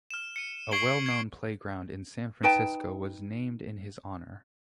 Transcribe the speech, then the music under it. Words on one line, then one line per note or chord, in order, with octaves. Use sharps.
A well-known playground in San Francisco was named in his honor.
F6 E7
C#7 D#7
C#6 G#6 C7 D7 F#7 G7
G#6 C7 D7
D#4 B4 G5 A5